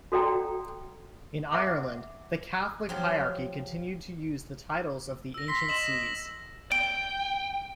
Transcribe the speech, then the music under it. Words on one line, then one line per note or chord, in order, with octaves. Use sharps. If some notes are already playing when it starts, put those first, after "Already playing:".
In Ireland, the Catholic hierarchy continued to use the titles of the ancient sees.
F#4 A4 D5 F#5 G5 A#5
E5 F#5 D6
F3 F#3 G4
E6 A#6
C6 A#6 B6
D#5 E7 F#7
G5 D7